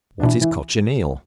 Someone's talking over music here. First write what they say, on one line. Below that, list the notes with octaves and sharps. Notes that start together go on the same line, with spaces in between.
What is Cochineal?
D4
B2 E3 E4
E3 E4